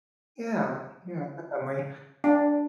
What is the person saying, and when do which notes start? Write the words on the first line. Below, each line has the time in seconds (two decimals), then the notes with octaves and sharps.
Yeah, yeah, definitely.
2.24 D4